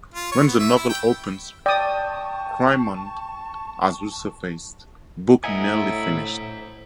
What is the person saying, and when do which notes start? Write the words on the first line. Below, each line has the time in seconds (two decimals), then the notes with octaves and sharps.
When the novel opens, Crimond has resurfaced, book nearly finished.
0.14 F4
0.32 C#5
0.47 B3
0.59 E5
0.76 E4
0.89 G5
1.66 D5 G5 A5 C#6 D#6
5.44 A2 E4 C5 D#5 F#5 G#5 A#5